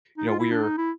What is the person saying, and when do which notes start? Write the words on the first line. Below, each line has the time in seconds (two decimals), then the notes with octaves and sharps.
you know, we're
0.17 D#4
0.28 F4
0.39 E4
0.51 D4
0.63 D#4
0.78 E4